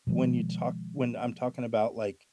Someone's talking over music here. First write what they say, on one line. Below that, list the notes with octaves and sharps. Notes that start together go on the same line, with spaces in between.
when you talk when I'm talking about, like,
B2 D#3 F3 G#3